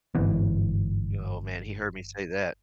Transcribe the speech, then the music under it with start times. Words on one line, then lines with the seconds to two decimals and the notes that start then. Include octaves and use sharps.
Y oh man, he heard me say that.
0.15 G1 G#2 E3 B3